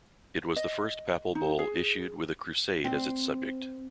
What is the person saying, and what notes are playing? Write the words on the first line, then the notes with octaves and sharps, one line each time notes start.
It was the first papal bull issued with a crusade as its subject.
D#5
D#4
G#4
C4